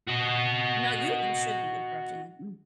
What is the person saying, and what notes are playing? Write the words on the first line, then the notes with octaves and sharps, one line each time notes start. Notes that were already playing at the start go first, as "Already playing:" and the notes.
No, you're you should be interrupting me, mm.
F#4 D#5